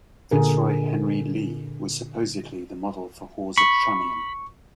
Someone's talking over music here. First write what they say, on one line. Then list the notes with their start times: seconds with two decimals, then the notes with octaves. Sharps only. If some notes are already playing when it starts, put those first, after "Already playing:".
Fitzroy Henry Lee was supposedly the model for Hawser Trunnion.
0.31 A#2 D3 G#4 A#4
3.58 B5 C#6